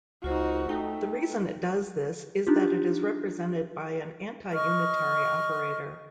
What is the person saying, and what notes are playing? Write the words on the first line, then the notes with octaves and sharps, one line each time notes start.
The reason it does this is that it is represented by an anti-unitary operator.
C#2 D#4 F4 F#4 C5
A3 D#4 G5
D4 D#4 F4 G4
D#5 C#6 F6